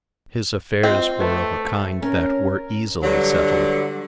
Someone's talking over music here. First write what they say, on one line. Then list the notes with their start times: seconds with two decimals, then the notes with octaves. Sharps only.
His affairs were of a kind that were easily settled.
0.83 C4 F4 D#5
1.20 A3 B4
2.02 C#4 A#4
3.02 G2 D3 F#3